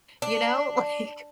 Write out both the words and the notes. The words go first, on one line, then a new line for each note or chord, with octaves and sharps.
You know, like
D4